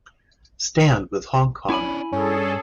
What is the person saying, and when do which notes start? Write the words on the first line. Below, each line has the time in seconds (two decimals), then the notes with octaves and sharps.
Stand with Hong Kong.
1.70 C#4 D4 E4 G#5 B5
2.13 G2 C#4 G#4 A4